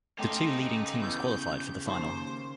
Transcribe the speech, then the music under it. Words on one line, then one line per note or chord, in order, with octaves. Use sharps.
The two leading teams qualified for the final.
C#3 A3 D#4 G4 G5 C6
E2 G6
D#2 C5